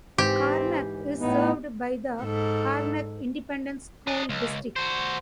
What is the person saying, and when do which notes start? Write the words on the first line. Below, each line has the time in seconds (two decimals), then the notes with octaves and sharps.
Karnack is served by the Karnack Independent School District.
0.18 G#2 E3 C4 G4
1.19 A2 B3 D#4
2.22 G#2 A4
4.07 D4 D#5
4.29 C#2
4.76 F#4 C5